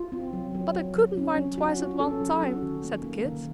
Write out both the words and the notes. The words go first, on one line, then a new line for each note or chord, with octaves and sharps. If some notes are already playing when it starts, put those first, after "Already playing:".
"But I couldn't mind twice at one time," said Kit.
Already playing: F4
C4
F#3
F#3
F#3
F#3
C#4
F#3
F#3 F#4
F4
C#4 A4
F#3
C#4 F#4
D#3
A#3
A#3
D#3